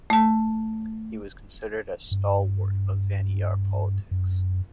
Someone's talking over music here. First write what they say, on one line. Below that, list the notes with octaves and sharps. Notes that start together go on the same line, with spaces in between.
He was considered as stalwart of Vanniyar politics.
A3 A5
G2
F#2